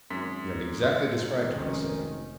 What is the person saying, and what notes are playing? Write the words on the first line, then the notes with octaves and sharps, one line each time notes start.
"You have exactly described her," I said.
G#1 F#2 C6 B6
F1 D#3 C#4